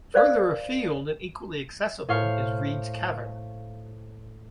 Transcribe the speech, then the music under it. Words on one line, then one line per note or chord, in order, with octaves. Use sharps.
Further afield and equally accessible is Read's Cavern.
A#4 C5 D5 F5
A2 C5 F5 C#6